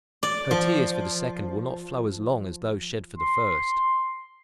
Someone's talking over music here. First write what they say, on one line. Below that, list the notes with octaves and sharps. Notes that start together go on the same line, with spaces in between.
Her tears for the second will not flow as long as those shed for the first.
D5
F3
C6